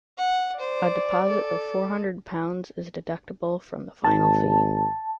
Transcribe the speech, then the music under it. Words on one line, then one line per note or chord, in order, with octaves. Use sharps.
A deposit of four hundred pounds is deductible from the final fee.
F#5
C5 D5
A4
G#1 A5